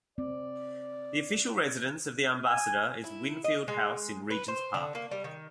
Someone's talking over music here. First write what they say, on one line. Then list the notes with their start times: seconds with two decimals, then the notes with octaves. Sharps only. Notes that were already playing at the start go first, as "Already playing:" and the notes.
The official residence of the ambassador is Winfield House in Regent's Park.
0.18 C4 D5
2.47 G#5
3.04 E4
3.44 D#5
3.68 G#3
4.31 B4
4.48 C5
4.74 D3
4.95 A#3
5.11 G3
5.24 D#3